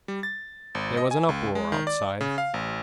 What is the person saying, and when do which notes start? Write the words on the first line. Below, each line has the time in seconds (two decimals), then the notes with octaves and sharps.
There was an uproar outside.
0.08 G3
0.23 A6
0.75 G#1
0.97 D#5
1.11 G#5
1.29 C#2
1.55 G#3
1.72 D#3
1.87 D5
2.21 C#3
2.38 F5
2.54 A1